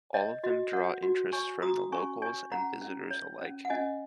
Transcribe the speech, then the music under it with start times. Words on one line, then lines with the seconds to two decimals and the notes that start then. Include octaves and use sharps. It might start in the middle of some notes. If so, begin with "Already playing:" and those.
All of them draw interest from the locals and visitors alike.
0.14 C#5 D#5
0.44 F#4 D#5
0.73 F#4 C#5 F#5
1.03 F#4
1.33 C#5 G#5 C#6
1.62 F#4 A#5 D#6
1.92 C#4 G#5 C#6
2.22 C#5 G#5 C#6
2.51 C#4 F#5 A#5
2.82 C#4
3.11 C#5
3.41 C#4
3.65 F#5
3.70 C#4 D#5 G#5